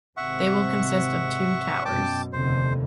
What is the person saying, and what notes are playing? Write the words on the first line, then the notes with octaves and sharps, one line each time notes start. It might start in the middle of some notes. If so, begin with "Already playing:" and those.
They will consist of two towers.
G#1 C3 C4 E5 F#5 C#6
F#2 B2 G5 A5 D6
F1 D#2 D3 C5